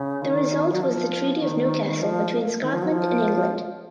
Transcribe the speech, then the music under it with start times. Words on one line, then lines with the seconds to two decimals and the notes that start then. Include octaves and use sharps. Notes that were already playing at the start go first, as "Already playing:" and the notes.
The result was the Treaty of Newcastle between Scotland and England.
Already playing: C#3
0.22 D#3
0.72 F#3
0.82 F3
1.41 D#3
2.02 F3
2.62 D#3
2.72 F3
2.82 F#3
2.92 F3